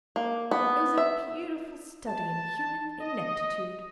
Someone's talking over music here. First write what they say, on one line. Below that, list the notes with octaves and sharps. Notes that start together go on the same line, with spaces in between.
It was a beautiful study in human ineptitude.
A#3
B3
E5
A5
D#5